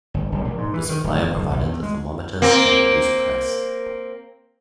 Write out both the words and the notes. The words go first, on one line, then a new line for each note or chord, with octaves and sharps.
The supplier provided the thermometers at a reduced price.
G1
F#1
A#1
G#2
E3
D#3
D1
E2
F#1
B1
E2
G#3
A#3 C4